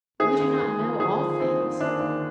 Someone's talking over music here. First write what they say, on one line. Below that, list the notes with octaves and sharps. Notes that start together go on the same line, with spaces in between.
We do not know all things.
D#2 G#4
D#2
D#2
F3
D3 G#4
F3
D#2 C4
D#2
D#2 D4
D#2